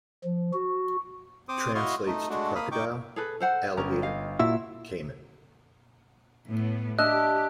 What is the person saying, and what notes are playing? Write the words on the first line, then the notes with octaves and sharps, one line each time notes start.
Translates to crocodile, alligator, caiman.
F3
F#4
C4 C5 D6 D#6
E4 F#4 D#5 F5 C6 C#6
A3 D#4
G#3 A3 D4 F#4
A#3 F5 B5 D#6
D#4 G5 C#6 D6
G#4 A4 B4
A4 C5 F#5
G1 C#4 A#4 A#5
D#5 F5
A#2 E4 F#4 E6
A2 B3
D4 G4 D#5 E5 E6 F#6